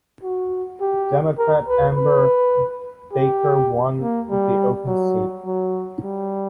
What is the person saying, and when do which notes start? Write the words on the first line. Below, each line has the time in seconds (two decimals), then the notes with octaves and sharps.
Democrat Amber Baker won the open seat.
0.23 F#4
0.81 G4
1.38 A#4
1.68 B4
1.97 B4
3.13 G4
4.01 A#3
4.30 G3
4.87 F#3
5.46 F#3
6.03 G3